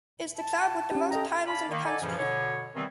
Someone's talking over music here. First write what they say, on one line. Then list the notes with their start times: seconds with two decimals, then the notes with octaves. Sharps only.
It’s the club with the most titles in the country.
0.36 A5
0.91 C#4 G4
1.11 A4 D#5 G5 A#5
1.46 D5 F5 G#5 A5 B5
1.70 D#3 A#3
1.85 A4 D5 D#5 F#5 G#5
2.02 F#2 A#2 C#3 E3 F3
2.18 B2 D3 C#5
2.75 C3 D#3 E3 G3 B3 C4